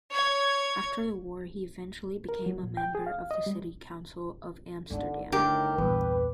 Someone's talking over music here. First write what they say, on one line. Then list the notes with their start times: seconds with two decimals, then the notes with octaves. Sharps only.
After the war he eventually became a member of the city council of Amsterdam.
0.11 C#5 G#6
2.29 A#4
2.46 F#3
2.63 A#2
2.77 G5
2.95 G#4
3.06 F5
3.31 D#5
3.46 G3
4.90 G1 D3 D#4
5.32 A2 D3 D#3 G4 A#4
5.78 A#1 E2 G2 B4